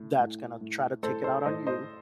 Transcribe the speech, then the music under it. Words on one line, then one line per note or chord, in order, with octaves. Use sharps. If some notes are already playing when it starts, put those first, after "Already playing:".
that's gonna try to take it out on you
Already playing: A2
A2
A2
A2 A4 C5
A4 C5
A2 C5 D#5
C5 D#5